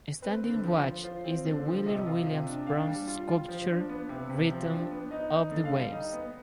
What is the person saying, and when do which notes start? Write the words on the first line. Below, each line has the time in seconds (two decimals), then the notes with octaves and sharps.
Standing watch is the Wheeler Williams' bronze sculpture Rhythm of the Waves.
0.22 C4 B4
0.43 D3
0.64 F3
0.84 F3
1.04 F4 C5
1.24 C4
1.45 D3
1.65 F3
1.86 C3 D#5
2.06 F4
2.27 C3
2.47 D4
2.67 D4 F5
2.87 G3
3.07 F4
3.28 F4
3.49 F3
3.69 D4
3.89 B3
4.09 C3
4.30 C3
4.50 F3
4.70 D4
4.91 B3
5.11 D#4 D#5
5.31 D#4
5.51 D3
5.65 F5
5.72 G3
5.92 D#4 D#5
6.13 B3